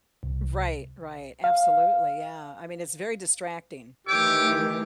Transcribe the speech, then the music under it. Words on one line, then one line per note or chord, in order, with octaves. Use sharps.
Right, right, absolutely, yeah, I mean, it's very distracting,
C2
F5
D#3 E3 A3 G4 C#5 D6 E6